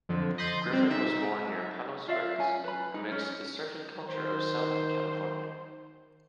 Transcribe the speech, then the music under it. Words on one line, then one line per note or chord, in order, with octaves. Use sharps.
Griffin was born near Palos Verdes amidst the surfing culture of southern California.
F2 D3 F3
D#5 B5 C6 G6 A6
G3 C4
D#4 E5
F4 D5 E5 F5
C#4 G#5
B4 B5
D#4
C#4
D#3 C5